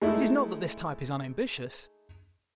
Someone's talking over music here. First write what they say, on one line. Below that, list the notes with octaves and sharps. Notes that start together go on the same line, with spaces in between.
It is not that this type is unambitious.
G#3 A3 D#4 E4